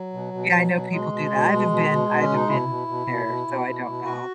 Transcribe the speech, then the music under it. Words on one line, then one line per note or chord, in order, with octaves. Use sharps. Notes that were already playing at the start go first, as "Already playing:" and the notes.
Yeah, I know people do that. I haven't been I haven't been there, so I don't know.
Already playing: F#3
B2
B2
B2
B2
B2 G#3
B2
B2
B2
B2
B2
B2
C#4
B2
D#4
B2 E4
B2
B2
B2
B2
B2
B2
B2
B2 F#4